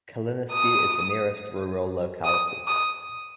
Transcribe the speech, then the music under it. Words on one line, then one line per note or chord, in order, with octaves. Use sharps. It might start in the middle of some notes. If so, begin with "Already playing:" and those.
Kalininsky is the nearest rural locality.
D#6
D#6
D#6